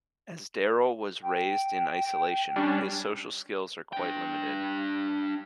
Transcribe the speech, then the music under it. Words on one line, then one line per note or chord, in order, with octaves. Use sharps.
As Daryl was raised in isolation, his social skills are quite limited.
G5
G3 C#4 D4
D4 G5